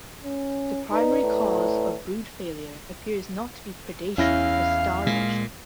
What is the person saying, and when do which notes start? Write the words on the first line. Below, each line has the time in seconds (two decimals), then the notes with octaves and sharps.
The primary cause of brood failure appears not to be predation but starvation.
0.23 C#4
0.91 D#4 B4 D5 A#5
1.22 A2
4.18 E2 C#4 E4 F5 A#6
5.06 A#2 G#3